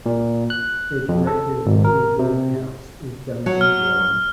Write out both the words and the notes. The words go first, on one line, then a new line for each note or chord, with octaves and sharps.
The Director of Ezechiel House is Duncan Wong.
A#2
F#6
F2
A4
G#1
A#4
C3
F#3
F6